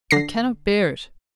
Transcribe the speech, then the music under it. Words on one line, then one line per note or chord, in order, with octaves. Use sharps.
'I cannot bear it.
D3 A#6 C7